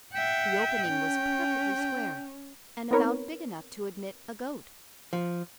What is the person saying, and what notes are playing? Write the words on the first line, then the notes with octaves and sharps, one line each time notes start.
The opening was perfectly square, and about big enough to admit a goat.
E5 F#5 G5
C#4
B3 C4 D#4 A#4 B4 C#5
F3